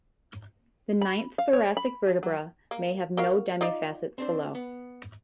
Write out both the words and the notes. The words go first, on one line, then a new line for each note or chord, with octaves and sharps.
The ninth thoracic vertebra may have no demi-facets below.
B5
F5
C#5
B5
F3
F#3
A#3
F#4 A#4 F5
D#4 F4 D5
C4 D4 C5
B3